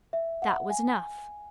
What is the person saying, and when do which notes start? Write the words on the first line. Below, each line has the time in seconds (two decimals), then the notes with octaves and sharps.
That was enough.
0.13 E5
0.42 F#5
0.70 G#5